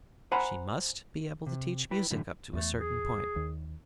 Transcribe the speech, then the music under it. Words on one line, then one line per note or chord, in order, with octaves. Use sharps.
She must be able to teach music up to a certain point.
C5 F#5 G#5 A#5 B5
C3
E4 B4 G5 B5
F#2 A2 D3 E3 A3
E2 A3
G#4
D#2